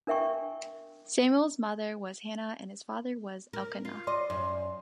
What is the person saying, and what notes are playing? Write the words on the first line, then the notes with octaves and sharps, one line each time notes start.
Samuel's mother was Hannah and his father was Elkanah.
D4 A#4 E5 G5 C#6
A#4
F4
D5 D#5 C6
F#2